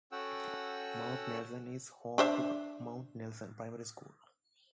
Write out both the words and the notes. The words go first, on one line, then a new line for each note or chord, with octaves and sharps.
Mount Nelson is home to Mount Nelson Primary School.
C#4 F#4 A4 F#5 G5 E6
D4 C5 E5